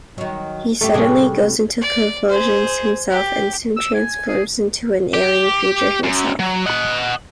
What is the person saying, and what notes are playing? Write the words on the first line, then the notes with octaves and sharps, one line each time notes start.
He suddenly goes into convulsions himself and soon transforms into an alien creature himself.
D#3 F#3
G2 A3 G4
A2 C3 G3 C#4 D4 G#4
D5
G#4 C5
G4
E6
G#5
G#4
G4
F#2
F#3
D#5 F#5